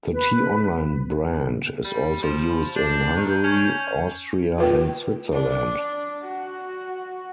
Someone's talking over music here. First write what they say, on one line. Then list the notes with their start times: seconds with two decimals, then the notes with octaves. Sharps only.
The T-Online brand is also used in Hungary, Austria and Switzerland.
0.12 B4
1.85 G3
2.22 F3
2.48 B5
2.76 D4 G6
3.16 D#3
3.44 C#4
4.58 F4 B4 G5
5.32 D4
6.22 F#4